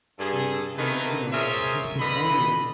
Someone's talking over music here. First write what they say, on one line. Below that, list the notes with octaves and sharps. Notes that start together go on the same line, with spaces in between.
and and, you know, he's just performing,
G2 G#4 A4
D#3 A3 A#3 C4 A#4 B4
F4 G#4 A#4 C5 C#5 E5
D3 B4 D#5 B5